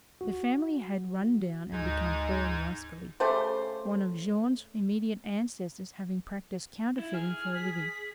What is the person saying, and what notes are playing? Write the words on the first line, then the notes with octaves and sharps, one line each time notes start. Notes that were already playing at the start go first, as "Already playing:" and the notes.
The family had run down and become poor and rascally, one of Jeanne's immediate ancestors having practiced counterfeiting for a living.
F#4
D2 G#2 G#3 D#4 G#6
C#3 A3 G4 C5
E4
G#4 F6
B6